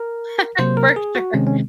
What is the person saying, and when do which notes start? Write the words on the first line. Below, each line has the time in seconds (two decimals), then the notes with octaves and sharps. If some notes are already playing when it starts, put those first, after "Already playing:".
Right? For sure.
Already playing: A#4
0.59 C3 F#3 A#3 C5
0.77 A#4
0.96 G#4
1.15 F#4
1.34 C3 D#3 G#3 C4 C#4
1.46 C#4